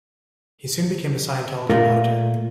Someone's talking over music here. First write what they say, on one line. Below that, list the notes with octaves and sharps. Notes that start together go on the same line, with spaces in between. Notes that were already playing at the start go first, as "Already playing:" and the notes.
He soon became a Scientology auditor.
A#2 A3 F4 A#4